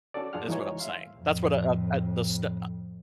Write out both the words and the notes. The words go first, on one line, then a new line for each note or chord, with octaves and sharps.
That's what I'm saying. That's what, uh uh, the Sn uh,
C#4 D4 F#4 A4 D5
F#2 D4 F4 G#4 F#5 F6
E3 G#3 D#4 F#4 G#4 C#5
E5 F5 C6
F2 A2